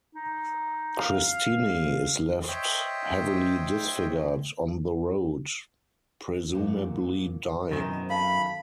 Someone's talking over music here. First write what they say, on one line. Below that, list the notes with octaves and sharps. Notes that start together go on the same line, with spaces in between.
Christini is left heavily disfigured on the road, presumably dying.
D#4
F5
C5 C#5 D#5 E5 G5
F#2 A#2
F#2 B2 D#3 E3 C4
A4 F5 A5 B5